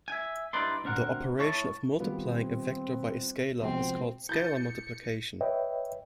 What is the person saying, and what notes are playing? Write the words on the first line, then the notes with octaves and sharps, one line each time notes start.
The operation of multiplying a vector by a scalar is called "scalar multiplication".
E5 G#5
G2 D#4 E4 B4 D5 C6
D2 C4 A#4 F#5
A2 C#5 A5
D#3 G3 B3 C4 F4
B1 C3 F3 G#3 C4
E4 G6 A6 C#7
B4 C#5 D#5 E5 G5